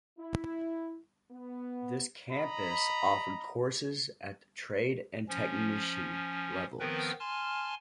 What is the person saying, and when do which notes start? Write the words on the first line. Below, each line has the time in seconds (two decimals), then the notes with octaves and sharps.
This campus offered courses at the trade and technician levels.
0.18 E4
1.31 B3
2.31 D#5 A#5 B5
5.29 F3 C#4
6.80 D#3 F3 B3 C4 A#4 B4
7.20 G#5 A5 C6 F6